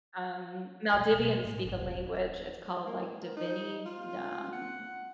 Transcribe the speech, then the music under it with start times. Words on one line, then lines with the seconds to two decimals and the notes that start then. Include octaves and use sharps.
Um, Maldivians speak a language, it's called, like, Dhivehi, d um
0.93 F2 A#2
1.15 B2 F#3
1.45 A2
1.65 G#1 D3
1.79 D#1
2.86 A#3
3.05 G#3
3.23 A#4
3.37 D#4
3.86 F4
4.53 F#5